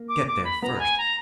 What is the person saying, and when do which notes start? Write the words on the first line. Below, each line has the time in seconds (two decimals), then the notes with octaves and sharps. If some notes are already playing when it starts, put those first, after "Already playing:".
Get there first!
Already playing: A#3
0.09 D6
0.27 D6
0.44 B5
0.62 B3 A#5
0.79 G#5
0.98 A#5